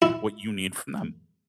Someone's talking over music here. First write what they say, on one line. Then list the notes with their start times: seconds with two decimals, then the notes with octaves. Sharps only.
what you need from them.
0.02 E4